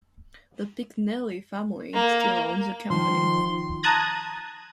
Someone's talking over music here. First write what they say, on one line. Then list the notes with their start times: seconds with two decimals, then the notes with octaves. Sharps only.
The Picknelly family still owns the company.
1.93 A#3
2.90 D#3 F3 C6
3.83 A5 A#5 D#6 F#6 G#6 A#6